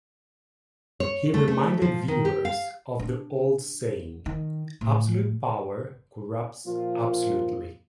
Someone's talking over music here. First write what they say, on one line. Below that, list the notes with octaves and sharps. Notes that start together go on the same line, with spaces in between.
He reminded viewers of the old saying "absolute power corrupts absolutely".
C#5
A3
A3
F3
D#3
G4
F5
D4
D#3
A2
A#2 F3 F4